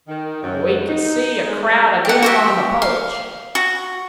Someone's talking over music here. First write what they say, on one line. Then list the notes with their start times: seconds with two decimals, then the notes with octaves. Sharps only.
We could see a crowd of them on the porch.
0.08 D#3
0.43 F#2
0.88 D#4
1.46 G#3
1.70 G#3
2.05 G4 F#5
2.22 F#4 G4 E5
2.82 F5
3.55 F#4